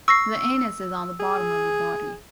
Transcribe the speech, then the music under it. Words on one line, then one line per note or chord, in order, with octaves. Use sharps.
The anus is on the bottom of a body.
C#6 E6 A#6 C7
G#4